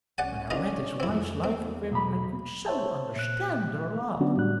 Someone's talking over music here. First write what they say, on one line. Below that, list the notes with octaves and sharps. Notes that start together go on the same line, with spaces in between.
When I read his wife's life of him I could so understand her love!
C2 C#4 D5 F#5 G#5
D#3 C#4 D4 F4 D#5
F2 D#3 C4 E4
E2 C4
B1 B5
C5 C#5 E5 A5
A#2 F#6
D3 F#3 B3 C#4 D4 F#4
A2 G3 D4 F#6